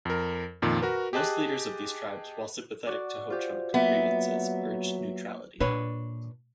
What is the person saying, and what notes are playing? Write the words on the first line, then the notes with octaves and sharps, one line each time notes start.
Most leaders of these tribes, while sympathetic to Ho-Chunk grievances, urged neutrality.
F2 A#4
F2 A#2 D#3
F#4 A#4 B4
G4 G#4 D#5 A5 F#6
F#4 D5
F4 G4 C5
F#3 A#3 B3 E5
A#2 D4 B4 C#5